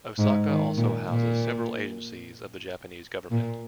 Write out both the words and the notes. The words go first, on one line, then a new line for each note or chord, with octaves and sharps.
Osaka also houses several agencies of the Japanese Government.
G#2
D#3
A#2
A#2
A#2